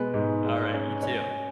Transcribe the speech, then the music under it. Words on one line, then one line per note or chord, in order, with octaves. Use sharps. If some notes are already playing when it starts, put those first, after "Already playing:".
Alright, you too.
Already playing: B2 G#3 B4
G#2
G#3
C#4
C#4 C#5